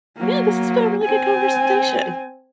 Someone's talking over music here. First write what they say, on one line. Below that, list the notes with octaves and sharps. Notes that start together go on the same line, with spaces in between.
yeah, this has been a really good conversation.
F#3 A#3
C4 G#5